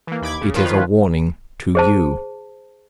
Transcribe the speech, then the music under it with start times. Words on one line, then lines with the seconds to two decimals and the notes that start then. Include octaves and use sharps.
It is a warning to you.
0.07 E3 A#3
0.22 D#2 B5 D6 G#6
0.41 C#3
0.54 D#3 F3 F4 B4 C#5
1.75 G#4 C5 A5